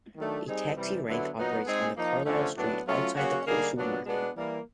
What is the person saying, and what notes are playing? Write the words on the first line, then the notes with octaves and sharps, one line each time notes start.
A taxi rank operates on Carlisle Street, outside the Coles Supermarket.
D#3 F#3 A3 D4
G3 C4 D#4 G#4
C3 E3 G3
D3 F#3 B3 E4
A#2 F#3 B3 D#4 F#4
G#3 C4 D#4 G#4
F3 A#3 D#4
D3 F3 A3 C#4
A2 F#3 B3 D4
F#3 A3 C#4 F4
C#3 F#3 A#3 C#4 F#4
D3 G3 A#3 D#4 G#4
A#2 F#3 B3 D4
B2 G#3 B3 D4
E3 G3 A#3